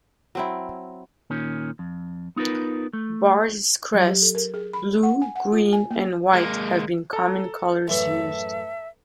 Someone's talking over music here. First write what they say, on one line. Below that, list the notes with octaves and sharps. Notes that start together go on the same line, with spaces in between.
Bar this crest, blue, green and white have been common colours used.
F#3 C4 E4
A#2 D#3 C#4
F2
B3 D#4 F4 A#4 B4
A3
F#3
G4
A4
A#4
G#4
B5
F#5
G#5
F#5
F4
G#5
A#3
G#3 A#3
A4 A#5
A1 F#2 E3 E5